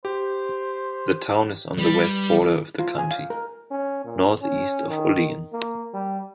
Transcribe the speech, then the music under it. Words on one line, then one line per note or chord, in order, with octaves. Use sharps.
The town is on the west border of the county, northeast of Olean.
G4 C5
G3 B4
F4
G#5
F5
A#4
C#4
A#2
C#4
D#3
A#3
G3